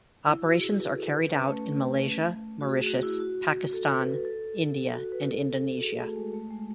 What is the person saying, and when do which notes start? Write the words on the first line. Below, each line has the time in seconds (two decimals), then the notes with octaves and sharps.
Operations are carried out in Malaysia, Mauritius, Pakistan, India and Indonesia.
0.26 E4
0.43 F#4
0.60 G#4
0.78 B4
0.96 A4
1.12 B4
1.30 C#4
1.48 A3
1.65 A3
2.61 F#4
2.69 G#4
2.86 F#4
3.03 E4
3.20 F#4
3.73 A4
3.86 A4
3.99 B4
4.11 A4
4.25 A4
4.94 F#4
5.12 B4
5.28 A4
5.55 A4
5.75 F#4
5.81 G#4
5.98 A3
6.16 G#3
6.33 A3
6.51 G#3